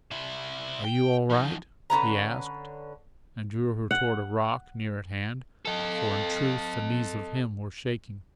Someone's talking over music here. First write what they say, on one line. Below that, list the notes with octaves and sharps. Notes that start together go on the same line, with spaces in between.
"Are you all right?" he asked, and drew her toward a rock near at hand--for in truth, the knees of him were shaking.
C3 E4
G5
F3 D#4
D3 C#4 B4 A#5
F#5
A4 D#5